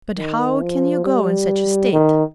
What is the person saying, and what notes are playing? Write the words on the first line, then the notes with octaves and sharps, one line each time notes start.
But how can you go in such a state?
D#3
F3
G3
D#3